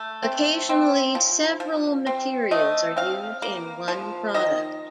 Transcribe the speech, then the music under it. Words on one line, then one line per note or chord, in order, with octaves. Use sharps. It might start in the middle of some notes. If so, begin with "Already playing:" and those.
Occasionally several materials are used in one product.
Already playing: A3
C4
C4
F3
F3
C4
A3 D#5
C4 F5
A#3
F3
D#3 D#5